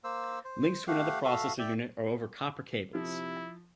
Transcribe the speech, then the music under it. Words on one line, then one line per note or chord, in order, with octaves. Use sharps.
Links to another processor unit are over copper cables.
A#3 C5 E6
C5
A3 G4 F5 F#5
F#4 A4 E5 F5
D5 E5 G5
C3 F3 E4